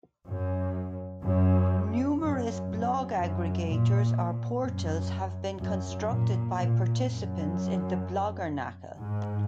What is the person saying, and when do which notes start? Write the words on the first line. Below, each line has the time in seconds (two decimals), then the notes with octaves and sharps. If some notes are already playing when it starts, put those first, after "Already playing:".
Numerous blog aggregators, or portals, have been constructed by participants in the Bloggernacle.
0.27 F#2
1.23 F#2
2.20 F#2
2.68 F#2
3.16 F#2
3.65 A#2
4.61 F#2
5.58 F#2
6.07 A#2
6.55 A#2
7.04 F#2
8.97 G#2